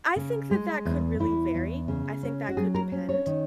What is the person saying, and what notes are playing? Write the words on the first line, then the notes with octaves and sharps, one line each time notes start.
I think that that could really vary. I think that could depend,
C#3
G#3
E2
E2 E4
E2
C#3
C#4
F#4
F#3 G#4
A#4
C#4
C#5
D#3